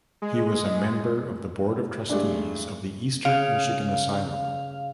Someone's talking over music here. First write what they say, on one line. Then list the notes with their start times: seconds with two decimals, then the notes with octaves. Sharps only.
He was a member of the board of trustees of the Eastern Michigan Asylum.
0.22 G#3
2.09 G2 G#3 A3 D4
3.25 C#3 F5